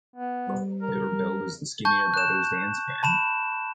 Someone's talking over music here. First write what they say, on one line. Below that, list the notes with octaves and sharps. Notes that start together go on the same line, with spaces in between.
They were billed as the Skinner Brothers dance band.
B3
G3
A#4
A5 C#6 G6
F#6 E7
A5 B5 E7